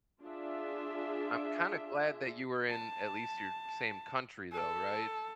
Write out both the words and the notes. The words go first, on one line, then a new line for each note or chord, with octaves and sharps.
I'm kinda glad that you were in, at least your same country, though, right?
D4 F4 G#4 E5
A5
A4